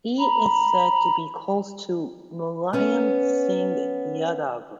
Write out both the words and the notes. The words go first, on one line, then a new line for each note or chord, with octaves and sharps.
He is said to be close to Mulayam Singh Yadav.
A#5 B5
B3 C#4